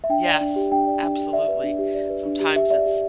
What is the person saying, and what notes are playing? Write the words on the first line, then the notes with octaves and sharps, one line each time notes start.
Yes. Absolutely. Sometimes it's
E5
D4 G5
D5
D4
G4
D4 G5
D5
D4
G4
D5 E5
B4
D4
G4
D5
B4
D4
G4
G4 E5
D5 E5
G4